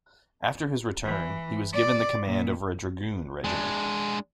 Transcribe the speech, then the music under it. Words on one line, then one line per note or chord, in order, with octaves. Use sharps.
After his return, he was given the command over a dragoon regiment.
E3
D5
A#2
G#3 D4